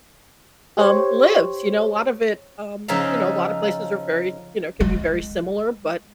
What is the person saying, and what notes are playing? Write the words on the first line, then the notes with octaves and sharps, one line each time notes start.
um, lives, you know, lot of it, um, you know, a lotta places are very you know, can be very similar, but,
G4 C5 C#5
C#3 F3 D#4 G#4 E5 F5
G#3